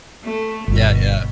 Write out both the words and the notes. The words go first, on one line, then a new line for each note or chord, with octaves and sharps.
Yeah, yeah,
A3
G1 B2